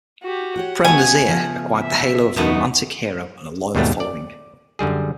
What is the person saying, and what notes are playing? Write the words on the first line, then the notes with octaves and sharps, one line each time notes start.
Prem Nazir acquired the halo of a romantic hero and a loyal following.
F#4 G4
F#4 G4 C#5 F#5
A3 B3 G#5
C#3 F3 A#5
E5
E2 B2 A3 B3 D#4
D#2 G#2 B2 G3 A3 B3
D5
F#2 D3 G3 G#4